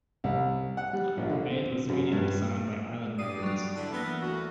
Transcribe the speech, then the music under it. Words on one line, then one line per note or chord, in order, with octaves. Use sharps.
The band was immediately signed by Island Records.
C2
F#5
G3
A#1
D3
C4
F#2
G2
G2 D5 D#6 C7 D#7
F#3 D4
D3 E4 A5
E3 A#3 B3
D2 F#4